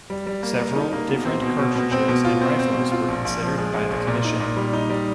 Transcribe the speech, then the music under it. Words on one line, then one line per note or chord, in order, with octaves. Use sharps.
Several different cartridges and rifles were considered by the commission.
G3
G3
A#3
A#3
D#4
A#3
B2
C4
B2
B2
B2
C4
B2
F4
C4
C4
B2
F4
A#1
A#1
F3
G#3
G#3
A#1
A#2
D#4
A#2
G3
D#4
G3